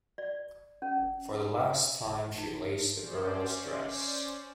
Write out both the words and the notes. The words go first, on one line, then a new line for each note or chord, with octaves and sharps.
For the last time she laced the girl's dress.
D5
C#4
D#4
C#4 C5 D5